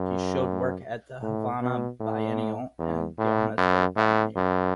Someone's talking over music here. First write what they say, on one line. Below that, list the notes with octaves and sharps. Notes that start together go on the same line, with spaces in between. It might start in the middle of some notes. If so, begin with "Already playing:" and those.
He showed work at the Havana Biennial and Johannesburg Biennial.
Already playing: F#2
A2
B2
A2
E2
A2
F#2
A2
F#2